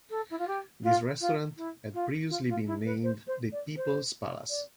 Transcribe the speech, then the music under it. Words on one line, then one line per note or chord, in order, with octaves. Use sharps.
This restaurant had previously been named The Peoples Palace.
A4
E4
F4
G4
F4
F4
E4
F4
F4
F4
E4
B4
C5
C5
D5
C5
D5